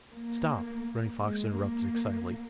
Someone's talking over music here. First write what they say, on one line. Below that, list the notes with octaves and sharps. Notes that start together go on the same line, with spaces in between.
"Stop!" Running Fox interrupted, excitedly.
A#3
G#3
A#3